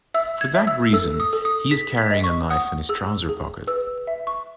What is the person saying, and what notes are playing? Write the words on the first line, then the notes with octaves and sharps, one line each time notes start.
For that reason he is carrying a knife in his trouser pocket.
E5 E6
G#6
E5
E6
A4 E6
D#6
A4
D#6
G#4 B6
B6
D#5
C#6
F#5 D#6
G#4 E6
G#4
B4 E6
E5
C#6